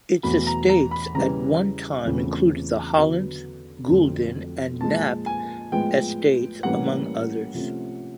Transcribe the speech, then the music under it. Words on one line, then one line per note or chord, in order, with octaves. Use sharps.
Its estates at one time included the Hollins, Gulden, and Knapp estates, among others.
E2 B2 F#3 A3 B5
A#5
A#5
B5
C#3 E3 G3 A#5
E2 C#3 F3 A3 C4
D3 F#3 B3
F2 D3 F#3 A3 C4
A#2 F3 G#3 A5
G#5
A2 F3 G#3 B3 G5
A2 E3 G3 A#3 C#4 F#5
C3 F3 A3 C#4